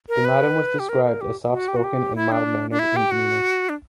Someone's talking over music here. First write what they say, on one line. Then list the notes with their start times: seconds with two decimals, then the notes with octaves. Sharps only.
Bin Laden was described as soft-spoken and mild-mannered in demeanor.
0.09 A#4
0.25 B4
0.79 G4
0.89 A#4
1.05 A#4
1.21 G4
1.52 F#4
1.68 G4
1.76 F#4
1.84 G4
2.16 E4
2.32 D4
2.71 D4
2.79 E4
2.96 G4
3.11 F#4
3.69 D4